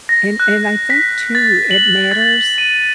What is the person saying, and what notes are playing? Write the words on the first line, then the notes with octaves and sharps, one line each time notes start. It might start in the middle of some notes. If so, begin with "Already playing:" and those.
And and I think too, it matters
A#6
F#6
B6
A6
F#7
A6
D#7